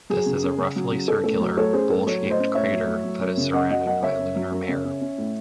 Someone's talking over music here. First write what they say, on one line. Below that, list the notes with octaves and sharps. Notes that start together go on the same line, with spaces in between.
This is a roughly circular, bowl-shaped crater that is surrounded by lunar mare.
F#3 G#4
C#3
C#4
C#3
F#3
C#3
C#4 A4
A2 A4
F#3
A2 A4 C#5
C#4 G#4 C5
A2 A4
F#3 A4 C#5
A2
C5 D#5
C#4
A2 C#5 E5
F#3
A2
F#3
F#2
C#3
C#4 D#5 F#5
F#3 D#5 F#5
F#2 D#5 F#5
C#3 C#5 E5
C#4
F#3
F#2
C#3
C#4
C#4
A2